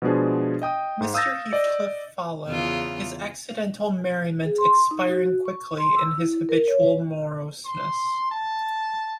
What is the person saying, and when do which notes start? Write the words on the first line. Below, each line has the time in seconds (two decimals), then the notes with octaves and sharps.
Mr. Heathcliff followed, his accidental merriment expiring quickly in his habitual moroseness.
0.02 B2 F3 G#3 B3 D4 G#4
0.62 D#5 G5 D#6
1.01 G#2
1.14 F5 D#6 E6 G6 A6 A#6
1.53 D5 D#5
2.47 E2 C#3 F4
4.45 G#4
4.58 C6
4.91 D#4
5.09 F#4
5.45 C#6
5.78 C6
5.97 E6
6.18 E4
6.49 A#4
6.68 C#5
6.83 B4
7.65 C6
8.32 A5